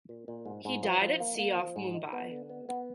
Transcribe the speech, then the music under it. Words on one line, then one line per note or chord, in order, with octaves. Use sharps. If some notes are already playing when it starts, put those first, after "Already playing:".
He died at sea off Mumbai.
A#2
A#2
G#2
G#2
F3
F3
A#3
A#3
F3
G#2
D#4
B3
D3
B3
B3